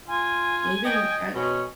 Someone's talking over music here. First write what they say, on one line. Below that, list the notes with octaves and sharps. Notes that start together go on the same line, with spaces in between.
even I
F4 G#5
D#5 G5
B2 C#4